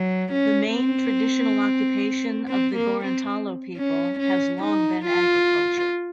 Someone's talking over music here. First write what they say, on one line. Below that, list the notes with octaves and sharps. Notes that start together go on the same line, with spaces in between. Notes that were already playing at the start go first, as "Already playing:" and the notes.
The main traditional occupation of the Gorontalo people has long been agriculture.
Already playing: F#3
C#4
C4
C4
A#3
C4
C#4
C#4
D#4
F4